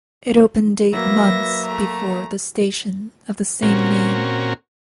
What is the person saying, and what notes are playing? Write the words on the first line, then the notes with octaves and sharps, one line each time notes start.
It opened eight months before the station of the same name.
F#3 A#3 B4 E5 A#6
A3 A#5
A#2 C4 C#4 F#4 A#4